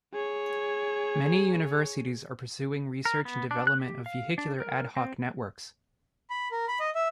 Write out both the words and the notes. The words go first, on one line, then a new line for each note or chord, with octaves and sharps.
Many universities are pursuing research and development of vehicular ad hoc networks.
G#4 C#5
A#4
B3
D4
F#6
G4
F5
D4
A#4
C4
B5
A#4
B5
D#5
E5